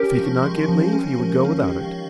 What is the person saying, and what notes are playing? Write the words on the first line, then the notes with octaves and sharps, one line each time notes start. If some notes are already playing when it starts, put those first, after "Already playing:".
If he could not get leave he would go without it.
Already playing: C#4 G4 A#4
F3
G#3
F3
C#4
F3
C#4
D#3